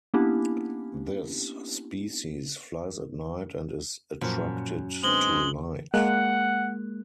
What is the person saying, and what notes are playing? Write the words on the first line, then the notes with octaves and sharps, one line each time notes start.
This species flies at night and is attracted to light.
A#3 B3 C#4 D4 E4 G4
F#2 A#2 F3
D3 G#3 B3 C4 F#7 G7
G#3 A#3 F#5 F#6